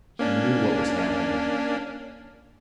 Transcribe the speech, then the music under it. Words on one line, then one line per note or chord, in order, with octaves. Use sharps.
He knew what was happening....
A#3 C#4 D4